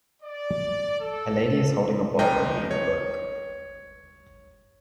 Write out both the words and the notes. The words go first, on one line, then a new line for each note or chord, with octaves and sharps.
A lady is holding a bowl and reading a book.
D5
A4
C2 G#2 D#5 G5
C#5